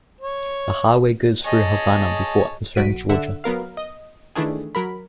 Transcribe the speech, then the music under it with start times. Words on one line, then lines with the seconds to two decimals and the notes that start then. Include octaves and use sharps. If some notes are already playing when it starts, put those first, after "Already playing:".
The highway goes through Havana before entering Georgia.
0.21 C#5
1.46 G#4 C#5 D#5 A5
2.75 B1 F#4 B6 D7 D#7
3.09 D3 E5 F#5 E7
3.44 F#3 B3 A#4 F5
3.77 D#5
4.36 D#3 E3 A3 D4 G#4
4.75 F#3 A#4 B5